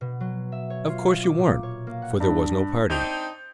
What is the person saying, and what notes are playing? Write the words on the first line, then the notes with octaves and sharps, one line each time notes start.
Of course you weren't, for there was no party.
B2
F#3
E5
C#5
F4
D6
A#2
C#5
A#3
F#5
G2
C4 D4 D#4 G6 F7